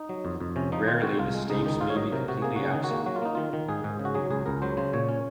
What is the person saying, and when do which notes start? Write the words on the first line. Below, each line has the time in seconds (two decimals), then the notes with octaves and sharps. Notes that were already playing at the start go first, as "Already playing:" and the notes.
Rarely, the stapes may be completely absent.
Already playing: D#4
0.09 F#3
0.25 F2
0.40 F2
0.56 C3 C#4
0.72 F3 D#4
0.87 D#3 F4
1.03 C4 F#4
1.18 C2 F4
1.35 G#3
1.50 C#2 D#4
1.66 D#3 D#4
1.81 G#2 F4
1.90 C#5
1.96 F#3 D#5
2.12 C3 A#4
2.28 C3 F#4
2.42 A#3 G#4
2.56 C#3 F#4
2.70 D#3 G#4
2.84 F#4
2.90 A#3
3.06 F#3 F#4
3.16 F4
3.22 A#3 D#4
3.35 D#3 F4
3.53 D#3
3.69 G#2 G#4
3.84 G#2
3.99 C#3
4.05 F#4
4.14 F#3 G#4
4.31 C#2 G#4
4.46 C#2 A#4
4.62 F#3 C5
4.77 C#3 C5
4.93 A#2 C#5
5.09 C#4